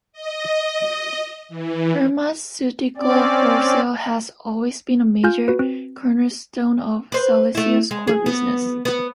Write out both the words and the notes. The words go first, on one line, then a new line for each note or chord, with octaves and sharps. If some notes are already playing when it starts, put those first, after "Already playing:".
Pharmaceutical wholesale has always been a major cornerstone of Celesio's core business.
D#5
E3
C4 C#4 D5
F4 F5 G#5 F6 G6
F#4 B4
C4
B4 C5
A3 E4
G#3
G#4
B3
B3